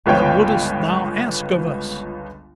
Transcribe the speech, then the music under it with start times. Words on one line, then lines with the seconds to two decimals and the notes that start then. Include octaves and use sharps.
'What wouldst thou ask of us?
0.06 G1 C#2 B3 F4 C#5 G5